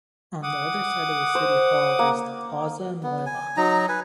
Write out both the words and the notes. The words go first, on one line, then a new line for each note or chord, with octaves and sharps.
On the other side of the City Hall is the Plaza Nueva.
F#5 D6 D#6
C5
A#3
B3
G#5
F#3 D#4 A#5
B4 G#5